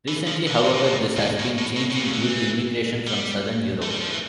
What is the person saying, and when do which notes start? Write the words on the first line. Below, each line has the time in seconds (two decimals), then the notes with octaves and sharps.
Recently, however, this has been changing due to immigration from Southern Europe.
0.08 E3
0.27 F3
0.47 D3
0.55 E3
0.65 A2
0.74 A#2
0.83 A2
1.17 A#2
1.20 A2
1.39 A2
1.58 A2
1.77 A2
1.90 A2
1.96 A#2
2.04 C#3
2.13 D3
2.23 E3
3.07 G3
3.82 A3
3.91 G3
4.01 F3
4.10 E3